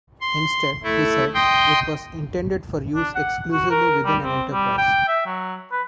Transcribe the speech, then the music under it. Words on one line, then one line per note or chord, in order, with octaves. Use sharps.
Instead, he said, it was intended for use exclusively within an enterprise.
C6
A3 E4
D#5 G5 C6
D4
F#5
F#4
A#4
G3
C4
G3
G5
E5
F#3
B4